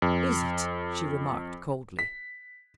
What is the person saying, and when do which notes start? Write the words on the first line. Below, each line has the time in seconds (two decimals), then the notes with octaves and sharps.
"Is it!" she remarked coldly.
0.02 F2
1.99 B6